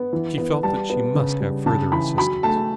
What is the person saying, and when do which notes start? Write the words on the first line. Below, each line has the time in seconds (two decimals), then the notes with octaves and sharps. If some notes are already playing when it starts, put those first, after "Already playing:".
She felt that she must have further assistance.
Already playing: B3
0.13 E3
0.38 B3
0.63 G3 A5
0.90 B3
1.15 C#3
1.40 G3
1.66 C#3 A5
1.92 E3 B5
2.17 F#3 B5
2.43 A3 A5